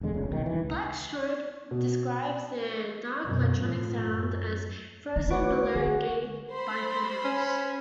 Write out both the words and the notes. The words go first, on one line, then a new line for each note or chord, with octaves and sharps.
Black Strobe describe their dark electronic sound as "frozen balearic gay biker house".
E1 E2 D3 G#3
F1 C#2 C#3
C2 B2 D3 D#3
E3
C#2
B2
F#2 B2
A2 F3
F#2
D#3
A3 F#4 B4 C#5 D6
D3 G#4
C5 B5
C#4